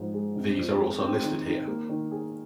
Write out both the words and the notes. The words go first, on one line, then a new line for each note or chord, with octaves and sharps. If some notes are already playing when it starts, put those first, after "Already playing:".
These are also listed here.
Already playing: G#2 F3 G#3
G#3
C3
F2
G#3
C4
D#3
D#4
A#3
D#3
G#4